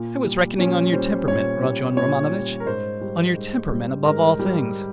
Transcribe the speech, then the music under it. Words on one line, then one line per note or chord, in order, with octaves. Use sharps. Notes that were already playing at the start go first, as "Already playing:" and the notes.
I was reckoning on your temperament, Rodion Romanovitch, on your temperament above all things!
Already playing: A#2
G3
A#2 C#4
G3 C5
A#2 C#5
G3
A#2 C#5
G3
A#4
G#2 C5
G3
G#2
G3
G#2 A#4
G3